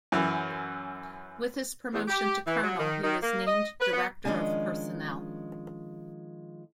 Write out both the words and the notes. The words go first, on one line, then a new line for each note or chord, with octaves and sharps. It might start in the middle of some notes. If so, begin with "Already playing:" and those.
With his promotion to colonel, he was named director of personnel.
F#2 E3
E2
G4
E3
F#3
D#3
D#3
A#3
D#5
B4
B3
D#3 F3 G#3 C#4 D4 G#5